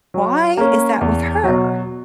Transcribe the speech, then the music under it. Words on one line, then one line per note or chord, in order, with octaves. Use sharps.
"Why is that with her?"
F#3
A#3 C#4
E2
B2 F#3